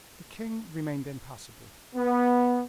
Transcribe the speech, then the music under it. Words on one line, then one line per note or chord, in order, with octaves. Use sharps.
The king remained impassible.
B3